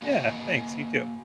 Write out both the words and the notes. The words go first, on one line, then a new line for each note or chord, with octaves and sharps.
Yeah, thanks, you too.
A#3 F#4 D#5 F#5 G#5